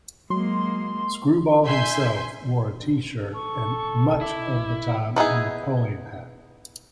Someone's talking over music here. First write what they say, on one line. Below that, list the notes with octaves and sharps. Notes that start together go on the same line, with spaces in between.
"Screwball" himself wore a T-shirt and, much of the time, a Napoleon hat.
F#3 G#3 A#3 C6
E5 G#5 C6 G6
A4 C#6
E4 D6
B3 D#4 E4 G#4